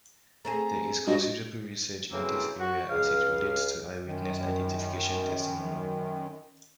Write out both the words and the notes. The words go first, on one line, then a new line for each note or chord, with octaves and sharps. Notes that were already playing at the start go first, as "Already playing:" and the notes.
There is considerable research in this area as it relates to eyewitness identification testimony.
A3 C4 G#4 A#5
G2 F#4 D#5
A2 C#3 E3 F#3 A#3 C4
F#4
C#2 F5
F#2 D#3